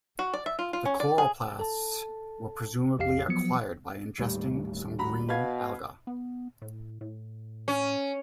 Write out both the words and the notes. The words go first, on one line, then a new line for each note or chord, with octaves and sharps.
The chloroplasts were presumably acquired by ingesting some green alga.
F#4
D5
E5
F4
F4
C#4
D5
G#4
A4 A5
A#1 F2 C3 G4 F5 C7
F3 F#3 B3 C#7
D#2 A2 G3
F#4 A#5 B5
B2 B4 F5 G#6
B3
A2
A2
C#4